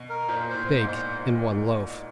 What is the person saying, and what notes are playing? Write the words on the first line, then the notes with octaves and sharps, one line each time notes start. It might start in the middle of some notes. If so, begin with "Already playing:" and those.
Bake in one loaf.
Already playing: B2
A#4
A#2 C5
C5
A2
C5
G#2
C5